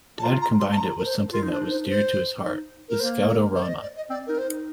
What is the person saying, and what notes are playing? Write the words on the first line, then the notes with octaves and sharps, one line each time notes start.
Dad combined it with something that was dear to his heart -- the Scout-O-Rama.
A5
F4 A#5
A#5
C6
A5
A#5
A#4
C5
F4 A#4
D#4
D4 C5
D#4 A#4
C5
C5
D#4
A#4
A#3 C5
A#4
C5
D5
D#5
D5
D#5
C4 D5
D#4 A#4
C5
D#4